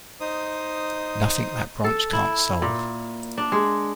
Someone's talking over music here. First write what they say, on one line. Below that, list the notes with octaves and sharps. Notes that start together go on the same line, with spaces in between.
Nothing that brunch can't solve.
D#4 C5 D#6
A4
E4
A#2
D4
G#3